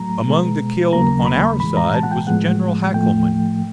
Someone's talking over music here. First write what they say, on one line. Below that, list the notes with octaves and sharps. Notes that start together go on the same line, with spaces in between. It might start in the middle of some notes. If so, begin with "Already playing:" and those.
Among the killed on our side was General Hackelman.
Already playing: A2 F#3 A3 A#5
B2 G#3 B3
D#2 C#3 F#3 A#3 A#5
B5
A2 E3 G#3 B5
A#5
A5
F#5
G5
A2 F3 G#3 B3 F#5
A2 F3 A3 G5